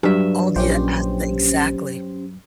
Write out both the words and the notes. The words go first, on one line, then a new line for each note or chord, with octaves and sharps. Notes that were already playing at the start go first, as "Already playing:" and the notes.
Oh, do you ask the exactly.
G2 F#3 E5
A#1 C#4 G4 C5